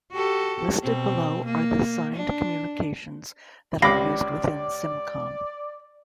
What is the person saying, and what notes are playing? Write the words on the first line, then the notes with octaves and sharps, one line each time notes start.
Listed below are the signed communications that are used within SimCom.
F#4 G4 A4
B2 C4
A#3
D4
C#2 C3 D5 F5 B5 D6 A#6